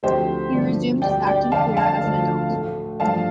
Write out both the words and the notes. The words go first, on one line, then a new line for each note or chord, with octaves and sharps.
He resumed his acting career as an adult.
D2 C3 F3 A3 G4 C5
G2 D3 F3 A3
D2 C3 G3 D5 G5
D5 G5
F2 D3 A3 F5 A5
F5 A5
D2 D3 F3 A3
A2 A3
G2 F3 A3 F5 A5